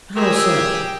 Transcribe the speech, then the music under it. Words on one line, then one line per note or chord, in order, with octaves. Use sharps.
"How so?"
G4 G#4 A#4 E6 B6